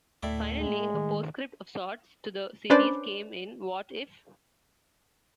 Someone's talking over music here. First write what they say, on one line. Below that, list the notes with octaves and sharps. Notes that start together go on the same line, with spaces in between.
Finally, a postscript of sorts to the series came in What If...
D2 A2 E4 D5
G#3
D#3
C#4 D4 B4 C5 D5